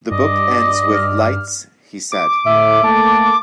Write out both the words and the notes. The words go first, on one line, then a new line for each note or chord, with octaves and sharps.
The book ends with 'Lights' he said.
G2 D5 D#5 D6
F6
D6
A2 E5
A3 A#3 A5